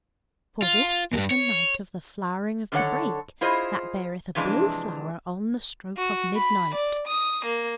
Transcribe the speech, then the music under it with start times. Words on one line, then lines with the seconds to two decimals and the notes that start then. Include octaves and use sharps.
For this is the night of the flowering of the brake, that beareth a blue flower on the stroke of midnight.
0.62 F4
1.13 E2 G2
1.31 C#5
2.72 F#2 D3 D#3 A4 C#5 F#5
3.41 E4 F4 G#4 C5 D#5
4.35 C3 E3 F3 G#3 D4
5.97 F#4
6.36 B5
6.75 D5
7.08 D#6
7.45 A#3